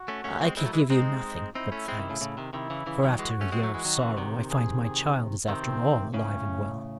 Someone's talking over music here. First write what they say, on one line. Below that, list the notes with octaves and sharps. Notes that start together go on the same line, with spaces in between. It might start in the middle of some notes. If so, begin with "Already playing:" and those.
"I can give you nothing but thanks, for after a year of sorrow I find my child is after all alive and well."
Already playing: F#4
A3 C#4
A3 C#4
G#3 C4
G#3 C4 E4
F#3 A3
E3 G#3
G#3 C4 D#4
C4 D#4 E4
A3 C#4
G#3 C4
C3 D#3
A2 C#3
A2 C#3
C3 D#3
C3 D#3 E4
C#3 E3
C#3 E3
D#3 F#3
E3 G#3 F#4
A3 C#4
G#3 C4
F#3 A3
E3 G#3
D#3 F#3
C#3 E3
C3 D#3
G#4
G#4
C3 D#3 C4
A2 C#3 C#4